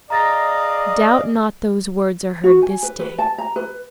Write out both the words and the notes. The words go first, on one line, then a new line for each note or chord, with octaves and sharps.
Doubt not those words are heard this day.
G#4 D5 D#5 F5 A#5 A6 A#6
F#4
G#5
B4
B4
A5
A#5
B4